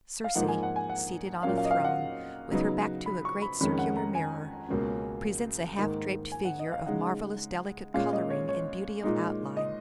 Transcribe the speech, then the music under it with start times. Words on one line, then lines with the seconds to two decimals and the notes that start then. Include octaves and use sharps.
Circe, seated on a throne, with her back to a great circular mirror, presents a half-draped figure of marvellous delicate colouring and beauty of outline.
0.24 F5
0.35 G#2 F3 A#3 D#4 F#5
0.48 G#5
0.63 F#5
0.76 G#5
0.89 F#5
1.43 A#2 F#3 A#3 C#4 F5
1.58 F5
1.65 D#5
1.71 F5
1.85 F#5
2.52 C#3 F#3 B3 D#4
3.06 B5
3.25 C#6
3.42 B5
3.61 F2 D#3 G#3 C#4 B5
3.79 F#5
3.97 A#5
4.15 G#5
4.69 C#2 B2 A#3 C#4
5.77 G#2 D#3 A#3 D#4
6.32 G#5
6.45 F#5
6.59 D#5
6.72 F5
6.86 C#3 G#3 D#4 F#5
7.94 A#2 G#3 C#4 F5
8.13 D#5
8.30 C#5
8.49 C#5
9.03 A#2 G#3 D#4
9.57 D#5